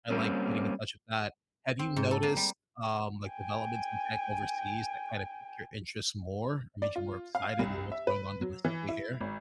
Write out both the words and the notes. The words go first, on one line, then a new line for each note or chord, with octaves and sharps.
I like getting in touch with that. Have you noticed, um, like, developments in tech overseas that kind of pique your interest more or made you more excited than what's going on domestically here?
G3 A#3 C4 C#4
C4
G#2
A4
A#3
G3
G5 G#5
D5
F4
F5
C2
E5
B4
F#3
E3
E4
G#1